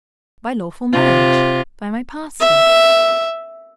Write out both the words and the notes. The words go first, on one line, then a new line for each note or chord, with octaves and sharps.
"By lawful marriage, by my pastor."
C3 F4
E5